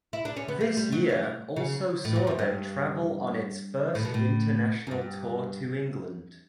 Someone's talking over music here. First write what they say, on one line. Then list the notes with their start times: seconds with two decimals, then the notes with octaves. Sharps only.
This year also saw them travel on its first international tour to England.
0.13 E4
0.25 D4
0.36 C#4
0.48 B3
0.61 A3
0.77 G3
0.92 F#3
1.09 E3
1.56 C#3
2.05 A2
2.16 G2
2.27 F#2
2.39 G2
3.95 A2
4.05 B2
4.14 A2
4.87 F#2
4.91 G2